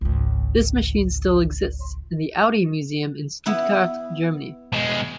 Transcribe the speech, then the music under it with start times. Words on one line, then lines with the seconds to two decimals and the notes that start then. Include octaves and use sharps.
This machine still exists, in the Audi Museum in Stuttgart, Germany.
0.01 G#1 C#2
3.46 B3 E4 B4
4.73 B2 G#3